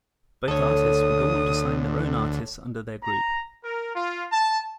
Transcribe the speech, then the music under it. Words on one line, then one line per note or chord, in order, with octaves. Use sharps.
Both artists would go on to sign their own artists under their group.
D2 A4 C#5 D#6
A#5
A#4
F4
A5